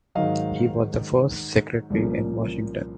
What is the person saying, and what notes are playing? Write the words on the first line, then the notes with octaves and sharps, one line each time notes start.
He was the first secretary in Washington.
G#2 D#3 F#3 D#5 F5
C2 A#2 F3 A#3 C#4